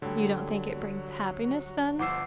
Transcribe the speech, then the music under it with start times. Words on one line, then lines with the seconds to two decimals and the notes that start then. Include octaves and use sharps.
"You don't think it brings happiness, then?"
0.02 D2 D3 F#3 G3
1.99 G1 F3 F#5 D6 E6 C7